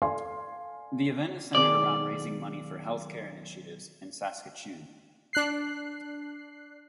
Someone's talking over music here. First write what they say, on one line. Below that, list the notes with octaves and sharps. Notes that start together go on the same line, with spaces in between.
The event is centered around raising money for healthcare initiatives in Saskatchewan.
A4 D5 F5 G#5 C6
B1 D#3 G#4 D5
D4 F#6 C7